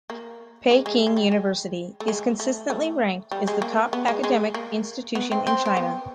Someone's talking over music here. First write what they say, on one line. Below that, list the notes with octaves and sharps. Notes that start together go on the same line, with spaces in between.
Peking University is consistently ranked as the top academic institution in China.
A#3
G#3
G#3
G#3
G3
G#3
A3
G#3
A3
A3
G3
G#3
A#3
B3
G#3
G#3
A#3
B3
C4
C4
C4
B3